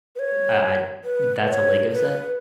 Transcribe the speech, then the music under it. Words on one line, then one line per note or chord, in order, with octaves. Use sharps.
I I that's a LEGO set?
B4
C#5
B4
C#5
B4